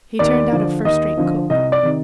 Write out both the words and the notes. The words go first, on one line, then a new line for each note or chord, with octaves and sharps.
He turned out a first-rate cook.
D#2 D5
D3 F3
D#2 D#5
D3 F3
C2 D#5
D5
C3 D#3